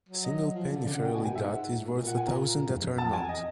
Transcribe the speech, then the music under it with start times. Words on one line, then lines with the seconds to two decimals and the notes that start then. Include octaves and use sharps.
A single penny fairly got is worth a thousand that are not.
0.09 F#3
0.24 D#5
0.54 F3
0.69 D3
0.84 C#3 D5
0.94 C#3 F#5
1.05 B2 G5
1.15 B2 G#5
1.25 A#2 G#5
1.35 G#2 E5
1.45 F#5
1.76 A2
1.86 B2
1.96 A#2
2.07 F#5
2.17 G#5
2.27 A#5
2.68 G#2
2.79 F2
2.88 F#2
2.98 F2 A5
3.09 F2 G#5
3.19 E2
3.29 D#5